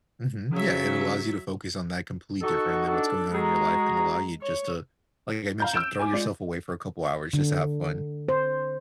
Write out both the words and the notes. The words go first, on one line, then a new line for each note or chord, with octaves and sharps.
Mhm, yeah, it allows you to focus on that complete different than what's going on in your life and allow you just to, like, I mentioned, throw yourself away for a couple hours just to have fun.
C#3 F#3 E5
D#4 F#4 A4 C#6
D4 A4
G#3 F#4 G#4 A#5
C#5
F5 A#5 G6
E6 G6 D7 E7
G#5 D6
G#3 F4 D5
D3
C5